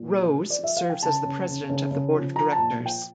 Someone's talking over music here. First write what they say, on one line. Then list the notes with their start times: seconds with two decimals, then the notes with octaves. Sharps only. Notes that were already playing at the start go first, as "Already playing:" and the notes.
Rose serves as the President of the Board of Directors.
Already playing: A#2
0.14 F3
0.37 F3
0.50 D5
0.59 F3 E5
0.77 F3 F5
0.90 G5
1.03 C#3 A5
1.25 C#3
1.47 C#3
1.70 C#3
1.91 C#3
2.13 F3
2.36 F3 A#5
2.52 A5
2.58 A#2
2.80 F3
2.86 G5